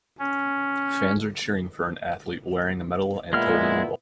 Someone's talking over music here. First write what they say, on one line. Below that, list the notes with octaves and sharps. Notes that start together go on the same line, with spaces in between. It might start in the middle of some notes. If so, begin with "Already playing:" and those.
Fans are cheering for an athlete wearing a medal and holding a ball.
C#4
A#2 G#3 B3 E4 F6